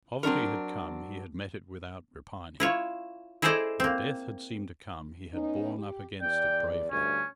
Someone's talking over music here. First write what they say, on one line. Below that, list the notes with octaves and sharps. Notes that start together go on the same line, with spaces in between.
When poverty had come, he had met it without repining; when death had seemed to come, he had borne up against it bravely.
F#3 C4 D4 A4 A#4
E4 F4 C#5
E4 G#4 A4 C5 D5 D#5
A#3 C4
B3 C#4 D#4
G4
E2 D5 G5
D2 G2 C#4